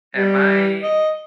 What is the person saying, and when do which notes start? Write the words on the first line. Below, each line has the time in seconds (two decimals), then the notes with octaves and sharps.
am I
0.16 G3
0.83 D#5